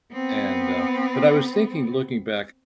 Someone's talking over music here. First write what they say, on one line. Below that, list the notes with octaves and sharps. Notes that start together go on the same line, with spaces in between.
And uh but I was thinking looking back
B3 C4